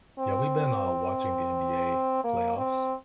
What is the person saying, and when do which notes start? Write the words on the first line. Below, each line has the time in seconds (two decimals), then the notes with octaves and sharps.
Yeah, we've been, uh, watching the NBA playoffs,
0.19 C4
2.24 A#3
2.57 C4